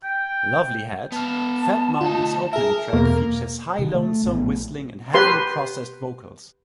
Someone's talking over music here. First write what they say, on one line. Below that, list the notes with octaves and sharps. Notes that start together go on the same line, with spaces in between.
"Lovely Head", "Felt Mountain"'s opening track, features high lonesome whistling and heavily processed vocals.
G5
B3 F5 A5
D2 D#4 F4
G#4 A#4 E5
E2 B2 A#3
C3 D#3
A3
A#1 A2 D#3 B3
G4 B4 C6